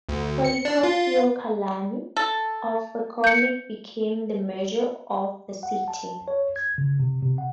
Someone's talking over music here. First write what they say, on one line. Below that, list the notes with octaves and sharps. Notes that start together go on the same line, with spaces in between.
Policarpio Calani of Fercomin became the mayor of the city.
D2
C#7
D4
F4
A4
G6 C#7
F#5
A5
C#5
G#6
C#3
C3
C3
F#5